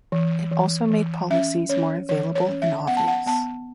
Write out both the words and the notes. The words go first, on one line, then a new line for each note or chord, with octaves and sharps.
It also made policies more available and obvious.
E3
E3
E3
C#4 E5
C#4 C#5
E3 C#5
C#5
C#4
E5
B3 F#5
A5
F#5
B3 A5